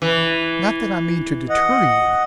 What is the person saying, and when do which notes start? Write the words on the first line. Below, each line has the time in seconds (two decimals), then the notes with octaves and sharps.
Not that I mean to deter you.
0.02 E3
1.49 D#5 F#5